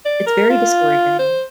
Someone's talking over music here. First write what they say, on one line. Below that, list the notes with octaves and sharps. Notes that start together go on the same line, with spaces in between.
It's very discouraging.
D5
A#4
F4
C5